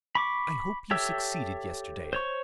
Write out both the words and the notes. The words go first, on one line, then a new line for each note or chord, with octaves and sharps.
I hope you succeeded yesterday.
B5 C#6 D6
G4 A4 C#5 E5 E6
C5 C#5 C#6